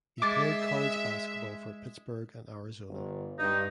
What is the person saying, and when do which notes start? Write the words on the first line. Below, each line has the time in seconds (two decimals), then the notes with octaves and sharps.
He played college basketball for Pittsburgh and Arizona.
0.22 G#3 E5 D6 A6
2.89 G1
3.38 G2 D#4